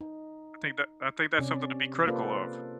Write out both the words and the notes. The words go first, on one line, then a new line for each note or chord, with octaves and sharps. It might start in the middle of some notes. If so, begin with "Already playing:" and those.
I think that I think that's something to be critical of.
D#4
C3 C#4 D5
A#3 F4 A4 B4 C5 D5